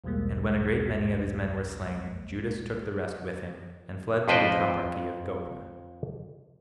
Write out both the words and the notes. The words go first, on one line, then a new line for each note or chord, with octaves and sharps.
And when a great many of his men were slain, Judas took the rest with him, and fled to the toparchy of Gophna.
B1 E2 B2 G3 G#3 A#3
F2 F3 B4 C5 D#5 G5